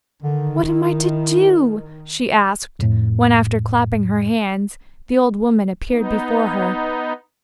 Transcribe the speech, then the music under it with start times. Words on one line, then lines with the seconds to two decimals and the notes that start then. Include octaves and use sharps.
'What am I to do?' she asked, when, after clapping her hands, the old woman appeared before her.
0.23 D3 D#3
0.63 E4
2.79 F2 A2
5.90 B3 D#4